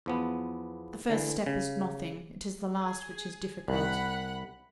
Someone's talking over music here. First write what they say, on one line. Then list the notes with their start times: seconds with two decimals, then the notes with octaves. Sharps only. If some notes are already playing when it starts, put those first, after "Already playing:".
The first step is nothing, it is the last which is difficult.
0.06 E2 F3 B3
1.10 D3 E3
1.46 C#3
2.77 G#4
3.68 C2 F#5 B5 F#6